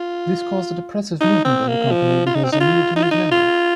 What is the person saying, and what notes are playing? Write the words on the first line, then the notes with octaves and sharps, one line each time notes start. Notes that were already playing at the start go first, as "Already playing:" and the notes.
This caused a depressive movement on the company because they needed to lose members.
Already playing: F4
D#4
C4
A#3
F3
F4
D#4
C4
D#4
F4
D#4
F4
D#4
F4